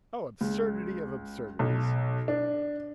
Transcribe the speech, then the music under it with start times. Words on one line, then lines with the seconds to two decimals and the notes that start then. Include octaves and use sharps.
Oh, absurdity of absurdities!
0.41 C#2
1.59 B1
2.28 D4